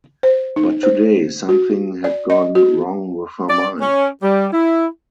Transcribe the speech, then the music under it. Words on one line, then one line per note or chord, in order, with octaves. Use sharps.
But today something had gone wrong with her mind.
C5
D#4
C5
F#4
D5
D#5
F#4
D5
C#4
G3
E4